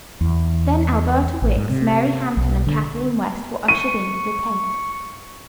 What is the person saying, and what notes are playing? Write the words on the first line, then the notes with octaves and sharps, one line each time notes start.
Then Alberta Wicks, Mary Hampton and Kathleen West were ushered into the tent.
E2
A1
G#2
C3
B1
D3
C#6 D#7